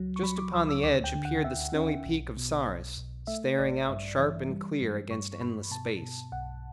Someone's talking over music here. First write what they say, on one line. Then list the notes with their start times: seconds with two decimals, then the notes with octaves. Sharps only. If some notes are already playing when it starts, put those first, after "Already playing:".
Just upon the edge appeared the snowy peak of Saris, standing out sharp and clear against endless space.
Already playing: C#2 F#3
0.16 C#6
0.23 F#3 B5
0.38 D6
0.53 C#2 E6
0.69 E6
0.84 D2 D6
1.04 G5
1.14 D3
1.25 F#5
1.44 D2 E5
1.75 C#4
2.06 B1
2.37 B2
2.67 B1
2.98 B1
3.27 A3 E5
3.58 A1 D5
3.89 G2 E5
4.19 E3
4.49 G3
4.81 G2
5.11 G2 C#6
5.41 G2 B5
5.71 B2 A5
6.02 B2
6.32 B1 F#5